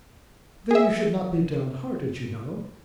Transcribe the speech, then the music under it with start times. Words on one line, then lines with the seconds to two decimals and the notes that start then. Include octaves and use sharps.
'Then you should not be downhearted, you know.'
0.71 G#4 E5